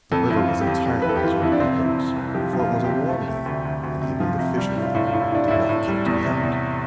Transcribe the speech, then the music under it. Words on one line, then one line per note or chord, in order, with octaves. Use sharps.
The river was entirely deserted by boats, for it was a warm day and even the fisher folk did not care to be out.
F2 A4
F2 E4
F4
F2
G4
F2
F2
B4
E3 A4
G4
E3 F4
F2 E4
D4
C3 C4
C3
E4
C3
C2
F3 G4
F3
F4
C3
G4
C3
A3
A3
D2
D2
D2
C3
F3
C3
G3
A2
F4
A2
F4
A2
E4
A2 D4
A2 E4
A2
G3
E2
C3
E2